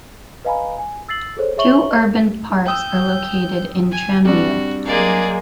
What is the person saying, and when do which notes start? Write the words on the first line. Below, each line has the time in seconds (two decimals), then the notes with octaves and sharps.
Two urban parks are located in Tranmere.
0.45 B4 D#5 F5 G#5 A#5 B5
0.78 G#5
1.09 E6 A6 C7 F#7
1.37 G#4 A4 C5 C#5
1.57 G#4 C#5 E5 C#6 F#7 G7
2.66 G5 D#6 E6 G6
3.92 G#5
4.25 G3 C4 D4 F#4
4.86 F#3 G#3 A#3 G#4 D5